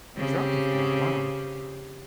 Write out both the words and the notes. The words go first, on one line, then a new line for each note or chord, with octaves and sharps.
He dropped you for that, wow.
C#3 C4 G4